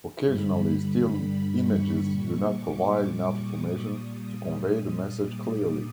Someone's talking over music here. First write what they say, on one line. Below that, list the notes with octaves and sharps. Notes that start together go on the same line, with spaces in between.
Occasionally still images do not provide enough information to convey the message clearly.
G2 D3 G3 B5
C#6
A#2 G3
D6
D#6
A#2 G3
D6